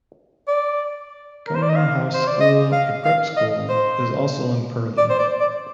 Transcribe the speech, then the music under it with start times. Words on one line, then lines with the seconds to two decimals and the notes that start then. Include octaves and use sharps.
Cumnor House School, a prep school, is also in Purley.
0.48 D5
1.48 A#4
1.55 C5
1.62 D5
1.69 D#5
1.76 F5
2.14 C5
2.27 D5
2.41 D#5
2.73 F5
3.05 F5
3.37 D#5
3.69 C5
4.98 D5
5.10 C5
5.19 D5
5.40 D5